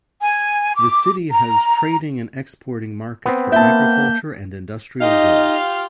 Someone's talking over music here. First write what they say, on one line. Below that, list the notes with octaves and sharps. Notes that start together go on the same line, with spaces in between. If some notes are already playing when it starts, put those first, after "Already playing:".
The city has trading and exporting markets for agriculture and industrial goods.
G#5
D6
A#5
B3 C4
A#3 E5 A5 G6
D#4 F4 G4 D#5 F5